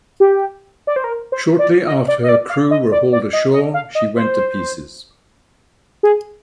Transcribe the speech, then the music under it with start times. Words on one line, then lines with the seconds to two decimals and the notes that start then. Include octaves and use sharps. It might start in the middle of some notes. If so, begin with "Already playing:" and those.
Shortly after her crew were hauled ashore she went to pieces.
0.20 G4
0.87 D5
0.96 C5
1.04 A#4
1.32 C5
1.59 D5
1.87 D#5
2.08 D5
2.23 D#5
2.29 D5
2.50 F5
2.71 D#5
2.92 D5
3.12 D5
3.33 D#5
3.53 D#5
3.74 F5
3.95 D#5
4.16 C5
6.03 G#4